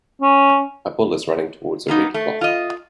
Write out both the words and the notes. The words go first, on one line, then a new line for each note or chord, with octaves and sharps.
A bull is running towards a red cloth.
C#4
A#3 B3 D#4
A3
F4 D#5